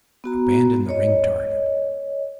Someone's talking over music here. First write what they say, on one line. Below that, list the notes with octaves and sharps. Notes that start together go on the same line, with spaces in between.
Abandon the ring target.
B3 F#4 A#5
C#5 D#5